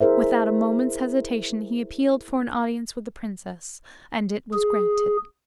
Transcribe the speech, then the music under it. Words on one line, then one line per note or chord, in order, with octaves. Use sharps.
Without a moment's hesitation he appealed for an audience with the princess, and it was granted.
E4 G#4 A#4 C5 E5
G#4